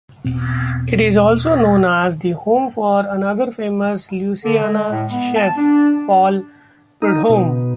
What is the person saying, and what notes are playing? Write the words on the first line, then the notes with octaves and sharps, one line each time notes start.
It is also known as the home for another famous Louisiana chef, Paul Prudhomme.
E1 B2 B3 C4
D3
G#3
A2
B3
A5
D4
D#4
B2